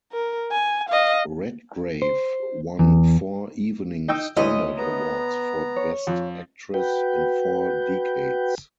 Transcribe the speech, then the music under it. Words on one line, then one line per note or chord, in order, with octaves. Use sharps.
Redgrave won four Evening Standard Awards for Best Actress in four decades.
A#4
G#5
D#5 F5
C5
E2
D#4 D#5 G5 E6
D2 E4 C#5 D#5
B3 A#5
C#5
F2
F#4 B4 G5